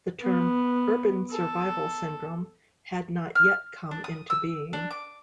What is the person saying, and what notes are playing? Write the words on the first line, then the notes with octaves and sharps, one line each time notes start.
The term, urban survival syndrome, had not yet come into being.
B3
A4
F6
D4
D#6
E6
D4
D6